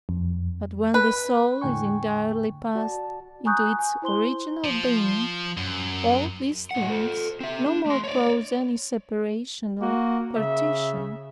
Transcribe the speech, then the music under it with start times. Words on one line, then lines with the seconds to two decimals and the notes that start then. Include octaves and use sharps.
But when the soul is entirely passed into its original Being, all these things no more cause any separation or partition.
0.09 F2
0.94 B4
1.61 E2 A2 D3 G5 G#5 C#6
2.75 F#4 D5 A5
3.45 G#5 A#5 C#6 D#6 F#6 G6
3.79 G#5
4.02 E4 C5 C6 G7
4.64 F3
5.57 F#2
6.71 A2 F#5
6.90 A4 C5
7.40 C4 E5
7.66 D4
7.86 A3 C6
8.04 C#5 D5
9.81 A#3 F#4
10.34 C#3 E5